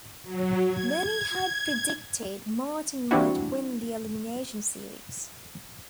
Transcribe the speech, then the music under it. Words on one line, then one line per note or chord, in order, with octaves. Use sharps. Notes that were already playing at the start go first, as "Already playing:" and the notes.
Many had predicted Martin might win the elimination series.
F#3
G#6
E3 G3 C4 D4 E4 F#4